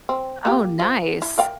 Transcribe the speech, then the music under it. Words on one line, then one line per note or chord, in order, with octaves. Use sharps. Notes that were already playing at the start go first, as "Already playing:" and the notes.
Oh, nice.
C4
A#3 F4 G4
F4 C5
E4
A#4 F5 G5